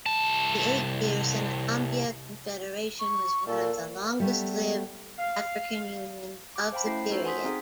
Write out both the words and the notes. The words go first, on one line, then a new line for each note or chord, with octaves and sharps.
The eight-year Senegambia Confederation was one of the longest-lived African unions of the period.
C2 A5
C#6
A#2 A4
G3 A3 B3
F5
D6
C5 F5 G5 A5 B5
A3 C#4 E4 C7
D#4 F#4 A4 C5
F#5 G#5 C6 D#6 B6
C4 D#4 G#4